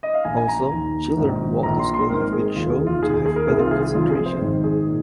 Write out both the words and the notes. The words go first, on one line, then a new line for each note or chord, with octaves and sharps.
Also, children who walk to school have been shown to have better concentration.
D#5
F5
A#1 A#2 G#5
G#5
A#5
D#2 D#3
A#1 G#2 D#3
A#1 A#2 A#5
C6
C6
G#1 G#2 D#3 A#4
G#4
F1 D#2 D#3 F4
G#4
F4
D#2 D#3 G#4
G#4
G#4
A#4
C2 C3 D#3 G#4
F4
G#4
G#4
F1 F2 C3 F4
G#4
C5
G#1 G#2 D#3
G#4
A#2